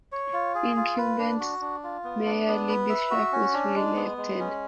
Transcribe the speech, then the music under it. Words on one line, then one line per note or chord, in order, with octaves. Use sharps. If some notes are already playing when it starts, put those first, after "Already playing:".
Incumbent mayor Libby Schaaf was reelected.
C#5
F4
G#4
F4
B4
D4
F#4
D4
F4
B3
D4
B3
B4
E5
F#4
C#4
D4
G#3
B3
G#3
C#4